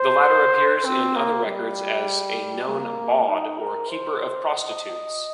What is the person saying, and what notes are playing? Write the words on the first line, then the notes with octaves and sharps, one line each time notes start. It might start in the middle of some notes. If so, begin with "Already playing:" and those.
The latter appears in other records as a known "bawd", or keeper of prostitutes.
Already playing: C5
C4
A#3
G3
A#3
D#4
A#4
C5
D#5